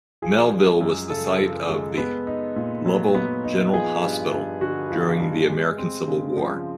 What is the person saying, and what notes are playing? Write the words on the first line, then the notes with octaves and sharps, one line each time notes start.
Melville was the site of the Lovell General Hospital during the American Civil War.
F3 G#4
G#3
F#2
C#3 A4
F3
G#3
B3
D#4
A#2
F#3
B3
D#4
F3 G#4
G2
G2
D3 F#4
F3
G2
G#3
C4
C#3
F3